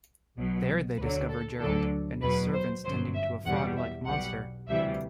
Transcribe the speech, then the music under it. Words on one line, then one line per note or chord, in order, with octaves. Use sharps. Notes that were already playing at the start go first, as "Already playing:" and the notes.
There they discover Gerald and his servants tending to a frog-like monster.
B1 B2 F#3
D2 D3 F#3 B4
A4
D2 D3 F#3 A4
E2 B2 F#3 B4
C5
G1 F#2 F#3 C5
E5
E2 B2 G3 F#5
E5
B1 B2 G3 F#5
D2 C3 E3 G3 E5